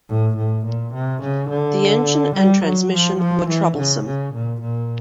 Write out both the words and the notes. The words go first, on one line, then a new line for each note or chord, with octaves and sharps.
The engine and transmission were troublesome.
A2
A2
A#2
C3
C#3
D3
G3
F#3
F3
F3
E3
C#3
C#3
A#2
A#2